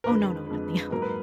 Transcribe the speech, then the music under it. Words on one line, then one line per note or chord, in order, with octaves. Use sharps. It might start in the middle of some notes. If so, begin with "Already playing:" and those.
Oh, no, no, nothing else.
A#4
F2 D3 G#3 B4
F2 D3 G#3
G#2 F#3 A#3 A#4
B4